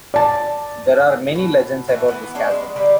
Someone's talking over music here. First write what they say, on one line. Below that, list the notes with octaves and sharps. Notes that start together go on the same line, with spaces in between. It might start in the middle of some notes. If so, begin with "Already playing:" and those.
There are many legends about this castle.
D5 A5
B2
A2 E3 A3
E3 B3
C#4 D4 G#4
G#3 B3
D3 G3 A#3 B3